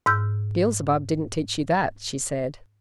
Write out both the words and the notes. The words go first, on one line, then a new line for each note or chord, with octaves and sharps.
'Beelzebub didn't teach you that,' she said.
G#2 E6 F6 G6